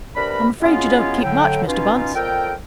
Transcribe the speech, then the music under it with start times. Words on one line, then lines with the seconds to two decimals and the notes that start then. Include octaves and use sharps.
"I'm afraid you don't keep much, Mr. Bunce."
0.15 C3 D4 A#4 B4 B5
0.61 F#3 G#3 B3 C#4 E4 F4
1.22 A2 D3 F#3 G5
1.67 B2 C#4 D#4 F4
2.14 F2 A#2 A4 A#4 G5